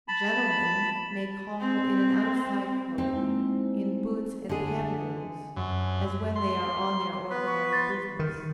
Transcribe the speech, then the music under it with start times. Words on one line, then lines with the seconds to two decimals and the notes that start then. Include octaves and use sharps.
Gentlemen may call in an outside coat, in boots and pantaloons, as when they are on their ordinary business.
0.08 A5 B5
1.60 C4
2.98 C4 D#4
3.14 G#3 A#3 E4
4.49 D3 G#4 D#5
5.56 F#2
6.36 C6
7.30 B3 B4
7.46 C#6
7.73 C6 A6
8.19 D#3